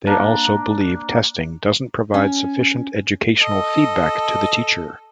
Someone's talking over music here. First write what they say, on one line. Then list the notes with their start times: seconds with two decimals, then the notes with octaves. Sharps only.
They also believe testing doesn't provide sufficient educational feedback to the teacher.
0.07 A#3 D4
2.14 C#4
3.40 A4 D#5